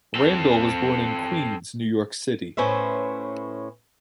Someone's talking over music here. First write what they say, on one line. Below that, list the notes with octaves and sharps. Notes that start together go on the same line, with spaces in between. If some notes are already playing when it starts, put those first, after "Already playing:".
Randall was born in Queens, New York City.
C4 A4
A2 C#4 B4 C5 E5